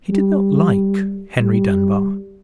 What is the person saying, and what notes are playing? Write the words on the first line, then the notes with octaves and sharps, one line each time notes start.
He did not like Henry Dunbar.
G3
G3